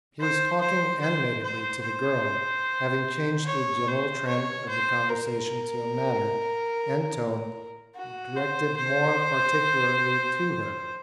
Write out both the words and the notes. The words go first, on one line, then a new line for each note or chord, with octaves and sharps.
He was talking animatedly to the girl, having changed the general trend of the conversation to a manner and tone directed more particularly to her.
C5
C5
C5
C5
C5
C#5
C5
C#5
C5
A#4
F#4
C5
C5